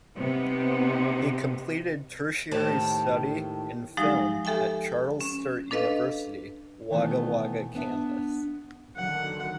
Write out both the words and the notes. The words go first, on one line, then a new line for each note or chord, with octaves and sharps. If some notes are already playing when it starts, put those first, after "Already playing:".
He completed tertiary study in film at Charles Sturt University, Wagga Wagga Campus.
C3 B3 D#4
D#2 A2 D#3 C5 A5
F3 F#3 G#3 D#4 G4
G4 A4 E5 G5 G#5
C#4
D4 A4 B4 D#5 F5
B2 D#3 E3 A3 B3 C4
B3 D4 E5
D3 D#3 F#3 F#5